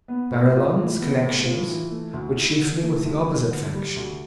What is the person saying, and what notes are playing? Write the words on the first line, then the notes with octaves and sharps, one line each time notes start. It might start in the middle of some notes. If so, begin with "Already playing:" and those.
Barillon's connections were chiefly with the opposite faction.
B3
A2
F4
E3
B3
A2
F4
E3
A3
D2
E4
D3
A3
D2
E4
D3
G3
D2